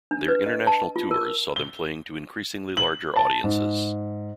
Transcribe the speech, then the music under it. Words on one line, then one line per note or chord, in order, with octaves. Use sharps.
Their international tours saw them playing to increasingly larger audiences.
D4
B4
D#5
A5
F4
A#4
G7
F#7
A5
G#2